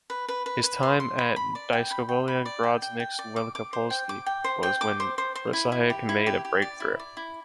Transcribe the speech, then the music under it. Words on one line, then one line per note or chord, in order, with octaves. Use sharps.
His time at Dyskobolia Grodzisk Wielkopolski was when Rasiak made a breakthrough.
B4
B4
B4
B4
C6
C6
B5
B5
D5
G5
B5
G5
B5
D5
G5
G5
G5
D5
D6
D6
C5
G5
D6
G5
C5
G5
D6
C5
C5
C5
E4
E4
G4
E4
G4
G4
D5
E4
D5
E4